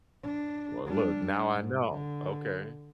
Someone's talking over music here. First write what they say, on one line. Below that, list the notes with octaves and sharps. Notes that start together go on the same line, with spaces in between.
Well, look, now I know. Okay.
D4
G3 D4
G#2
D3